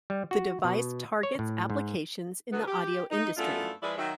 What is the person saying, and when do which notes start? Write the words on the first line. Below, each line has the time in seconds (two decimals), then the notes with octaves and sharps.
The device targets applications in the audio industry.
0.10 G3
0.31 F#4
0.64 B2
1.23 C#5
1.39 A2
1.70 G#2
2.52 D3 F#3 G#3 B3
2.66 G4
3.11 D#4
3.37 F#2 A3 B3 D4 E4 F4
3.82 F3 G#3 E4 G#4 B4 D5
3.97 D#3 F#3 E5